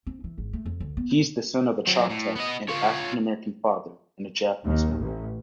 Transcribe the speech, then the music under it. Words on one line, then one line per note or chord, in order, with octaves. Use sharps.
He is the son of a Choctaw and African-American father and a Japanese mother.
C4
E3
G#1
A3
F2
D2
B3
F#3 C4
A2
B3 D#5
F4 C#5
D#2
A1